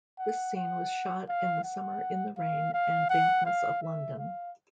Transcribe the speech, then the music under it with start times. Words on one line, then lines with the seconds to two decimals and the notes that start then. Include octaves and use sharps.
This scene was shot in the summer in the rain and dampness of London.
0.19 F#5
0.56 F#5
1.29 F5
1.64 F#5
2.38 F5
2.74 F5
3.10 F#5
3.46 F5
3.83 E5
4.19 F5